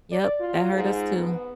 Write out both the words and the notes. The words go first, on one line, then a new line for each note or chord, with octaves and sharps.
Yep. That hurt us too.
D5
F4
G#2
B3